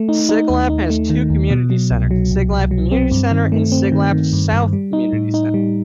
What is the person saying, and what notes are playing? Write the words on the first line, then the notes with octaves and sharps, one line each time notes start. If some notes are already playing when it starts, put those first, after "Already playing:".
Siglap has two community centres, Siglap Community Centre and Siglap South Community Centre.
Already playing: A3
D#4
D#4
D#2
D#4
A3
D#3
D#2
B2
F#3
C2
F#3
C2
C2
F#3
C4
G2
D#3
A3
C4
D#3
D#3
G2
G2
G3
D#4
A2
D#4
G3